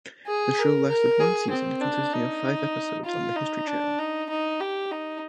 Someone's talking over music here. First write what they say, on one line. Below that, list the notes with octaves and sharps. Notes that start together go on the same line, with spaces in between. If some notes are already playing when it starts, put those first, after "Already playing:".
The show lasted one season consisting of five episodes on The History Channel.
G#4
A#4
A#4
G#4
C4
D4
D#4
F4
D#4
D4
D#4
D#4
G4
D#4